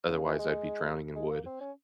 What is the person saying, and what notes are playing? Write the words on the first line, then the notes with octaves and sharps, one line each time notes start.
otherwise I'd be drowning in wood.
C#3
E3
G#3
G#3
A#3
C4
C#4